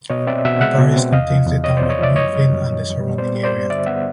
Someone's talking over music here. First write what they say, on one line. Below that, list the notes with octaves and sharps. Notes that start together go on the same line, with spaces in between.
The parish contains the town of Mirfield and the surrounding area.
B2 C#5 D#5
C4 D5 E5
B2 E5 F#5
G#3 E5 F#5
B2
C4
E2 D#5 F5
F3
E2
C3 C#5 D#5
E2 C5 D5
C#5 D#5
F3 D5 E5
F#2 C#5 D#5
G3
F#2
D#3
F#2
G3
B3 C5 D5
G3
C5 D5
G2
D3 D5 E5
B3 E5 F#5